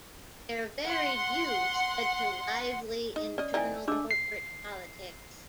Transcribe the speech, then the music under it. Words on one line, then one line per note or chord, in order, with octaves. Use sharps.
Their varied views led to lively internal corporate politics.
F#5 C6
D#4
C#4 D5 D#5
E3 C4 D#4 D5 G#5
G#3 A3 D4 D6 E6
C7